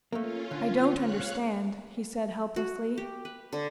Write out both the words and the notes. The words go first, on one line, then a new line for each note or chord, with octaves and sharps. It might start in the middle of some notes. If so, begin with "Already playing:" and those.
"I don't understand," he said helplessly.
A3 A#3 C#4 F4
D3
C#5 F5 F#6
F#4
G4
B4
D3